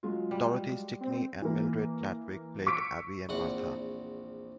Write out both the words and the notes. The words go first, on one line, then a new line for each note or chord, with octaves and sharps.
Dorothy Stickney and Mildred Natwick played Abby and Martha.
F#3 G#3 F4
G3
C4
E3 A#3
C#6 E6 B6 D7
A#1 E2 C4 F#5 C#6